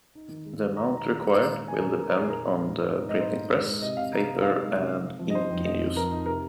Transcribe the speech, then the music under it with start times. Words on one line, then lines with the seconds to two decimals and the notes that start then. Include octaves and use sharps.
The amount required will depend on the printing press, paper, and ink in use.
0.15 D#4
0.30 D#3
0.46 G#3
0.61 D#3
0.76 G#3 A#5
0.92 D#3
0.97 A#5
1.07 D#3
1.17 D#3 A#5
1.37 A#2 A#5
1.53 G#3
1.68 A#2 G#5
1.78 A#4
1.83 A#2
1.89 G#4
1.98 A#2 A#4
2.08 A#4
2.14 D#4 G#4
2.29 A#2 A#4
2.45 A#2
2.60 G#3
2.75 G#2
2.90 D#4
3.05 G#2 D#5
3.20 G#3 C5
3.36 D#4
3.52 G#3
3.67 G#3
3.82 C3 D#5
3.97 C3 F5
4.12 C3 A#5
4.28 D#4
4.43 D#4 F5
4.58 G#3
4.73 C3
4.89 C3
5.04 C4
5.19 F3
5.30 D#5
5.35 D#4 C5
5.50 F2
5.65 F2 D#5
5.81 C4
5.96 F3 A#4
6.11 D#4
6.26 C3 A#4